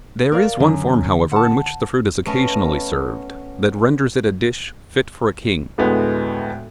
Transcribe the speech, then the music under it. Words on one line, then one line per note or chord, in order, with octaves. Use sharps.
There is one form, however, in which the fruit is occasionally served, that renders it a dish fit for a king.
A#4 D5 F5
F#2 D3
F#5 A5
A3 B3 C#4 D#5
D2 A2 G#3 B3